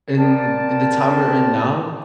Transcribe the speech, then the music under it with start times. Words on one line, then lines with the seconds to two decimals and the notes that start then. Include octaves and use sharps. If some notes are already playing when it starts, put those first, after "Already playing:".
in in the time we're in now,
0.16 C4 A#4 D5 G5 A5